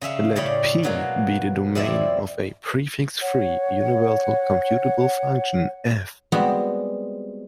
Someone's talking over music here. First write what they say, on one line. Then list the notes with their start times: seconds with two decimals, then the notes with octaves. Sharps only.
Let "P" be the domain of a prefix-free universal computable function "F".
0.01 C#3 C#4 E5 F5
0.36 A2 C#3 C#5 D5 G5 B5
0.83 B2 F#3 G#3 A#3
1.75 F2 C3 G3 E4 D5
3.22 C#5 F#5
6.32 G3 G#3 B3 C4 F#4